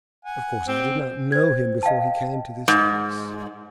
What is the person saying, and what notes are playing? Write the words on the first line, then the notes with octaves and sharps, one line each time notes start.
Of course I did not know him before he came to this house.
F#5 G#5
C4 G4
C5 G#6
D#5 F5 G5 A5
G#2